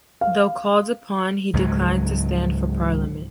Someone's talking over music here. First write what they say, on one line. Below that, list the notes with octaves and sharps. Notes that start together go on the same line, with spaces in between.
Though called upon, he declined to stand for Parliament.
F5
C#2 G#2 F#3